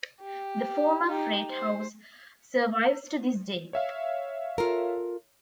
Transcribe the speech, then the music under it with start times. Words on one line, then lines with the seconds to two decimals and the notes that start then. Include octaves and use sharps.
The former freight house survives to this day.
0.21 G4
1.07 D#4 G4
1.50 C5
3.73 C#5 E5 F5
4.58 F4 A4 A#4